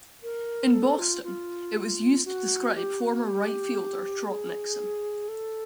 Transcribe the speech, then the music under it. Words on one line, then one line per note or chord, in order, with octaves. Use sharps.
In Boston, it was used to describe former Right Fielder Trot Nixon.
A#4
A4
F4
F4
F#4
G4
F#4
G4
G#4
A4